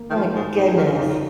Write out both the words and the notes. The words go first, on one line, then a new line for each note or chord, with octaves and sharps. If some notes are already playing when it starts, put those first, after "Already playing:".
Oh my goodness.
Already playing: A#3
D#3
F3 A#3
G#2
G#2 D#4
G2
F2
F2 D#4